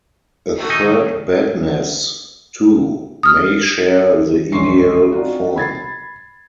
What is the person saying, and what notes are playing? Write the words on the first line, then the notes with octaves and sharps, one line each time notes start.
A third bedness, too, may share the ideal form.
D#3 A3 F#4
D#4 D#5 G#5
D#3 A3
D#6 F6
E1 A#1 C#4 C6 C#6 C7
C4 D4 D#4 F4 F#4
B5 G#6 A6 C7